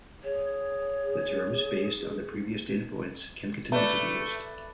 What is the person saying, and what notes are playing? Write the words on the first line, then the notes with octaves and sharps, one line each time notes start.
The terms based on the previous data points can continue to be used.
G#4 C#5
A3 B4 D5